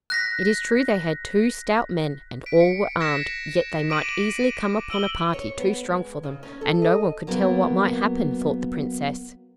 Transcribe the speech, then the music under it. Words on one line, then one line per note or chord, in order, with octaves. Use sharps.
It is true they had two stout men, and all were armed, yet they might easily come upon a party too strong for them; and no one could tell what might happen, thought the princess.
F#6 A#6 B6
B6 D7
C#7
F#6 G#6 A#6 B6 C#7 E7
D6 D7 D#7 F#7
D#7
E6 D7 F#7 G7
C#5
B3
G#3
C#3
C#4
A4
D#5
F#3 A#3 B3